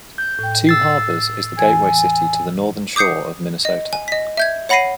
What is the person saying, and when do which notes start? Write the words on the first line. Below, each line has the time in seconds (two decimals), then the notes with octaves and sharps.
Two Harbors is the gateway city to the Northern Shore of Minnesota.
0.18 G6
0.39 A2 G5
0.67 E6 A6 C7
1.58 E2 E3 G#5 G#6
2.96 D6 D#6 G6 C7 C#7
3.65 D#5
3.93 G#5
4.08 D#5 B6
4.37 E5 G6 G#6
4.69 C#5 F#5 B5 A#6 C7 D#7